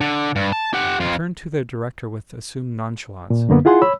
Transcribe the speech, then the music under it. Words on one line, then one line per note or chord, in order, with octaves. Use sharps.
He turned to the director with assumed nonchalance.
D3
G2
A5
G4 F#5
F2 F4
A#2
F#2 D3 A#3 B3
E4 F4 G#4 F#5 C6
C#5 B5 E6